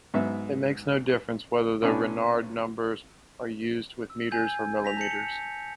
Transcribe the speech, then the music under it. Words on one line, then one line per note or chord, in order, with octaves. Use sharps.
It makes no difference whether the Renard numbers are used with metres or millimetres.
G#2 F#3 B3 E5
B1 B3 C#4 D4 G#5
E6
G#5 G6 G#6
A#6 B6 F7
A5 G6 B6 C#7